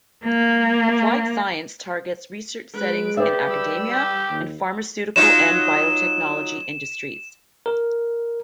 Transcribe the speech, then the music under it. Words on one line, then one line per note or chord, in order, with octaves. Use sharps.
Applied Science targets research settings in academia and pharmaceutical and biotechnology industries.
A#3
G#3 B4 D7
G4 G#4 B4 D5 E5
G3 B5 E6
G4
D#2
F#3 D#4 F4 E7
A#4